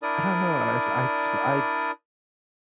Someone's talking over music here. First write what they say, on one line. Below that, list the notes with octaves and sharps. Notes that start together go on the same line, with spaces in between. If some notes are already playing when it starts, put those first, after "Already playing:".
I don't know, I I s I
D4 E4 A#4 D5 D#6